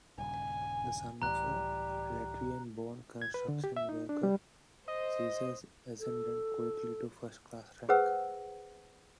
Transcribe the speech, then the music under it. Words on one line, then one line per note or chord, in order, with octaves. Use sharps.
The son of a Latvian-born construction worker, Zesers ascended quickly to first-class ranks.
D#1 G2 C#3 G#5
C#2 A2 E3 G3 A#5 F#6
G#6
B4
D3
G4
E5
D#4
D4
G3
C5 D#5
A4
G#4 B4 C5 F#5 E6